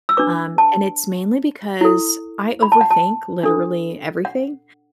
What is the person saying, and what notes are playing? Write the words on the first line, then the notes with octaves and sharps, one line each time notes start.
um, and it's mainly because I overthink literally everything,
E6
D4 B4 D6
A5
E4 A4
B5
A5
F#5
A5
D4 A4
F#5